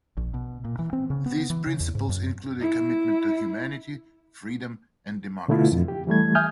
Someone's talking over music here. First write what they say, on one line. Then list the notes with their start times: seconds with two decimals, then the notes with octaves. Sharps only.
These principles include a commitment to humanity, freedom, and democracy.
0.17 A#1
0.34 B2
0.64 A#2
0.79 E3
0.93 C4
1.10 C#3
1.26 B3
1.50 E3
1.67 C#3
1.80 E2
1.95 G#2
2.09 F#2
2.60 E4
5.48 B2 D3 A3 B3 E4 F4
5.72 F2
5.88 G4
6.07 E3 G3 A3 G#6
6.35 E5 G#5 D#6 F6 G6